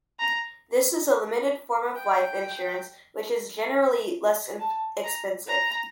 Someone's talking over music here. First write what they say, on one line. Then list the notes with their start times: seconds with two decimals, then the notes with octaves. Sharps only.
This is a limited form of life insurance which is generally less expensive.
0.19 A#5
1.96 G5
4.60 A5
5.04 A#5
5.47 A#5